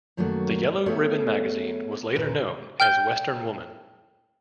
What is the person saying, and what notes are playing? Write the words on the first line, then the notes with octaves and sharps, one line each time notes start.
The Yellow Ribbon magazine was later known as "Western Woman".
F#2 D#3 F#3 A3 A#3 F#4
A3 B3 G#4 A4 C#5 E5
D#2 A#2 A#4 B4
G5 F6 G6 G7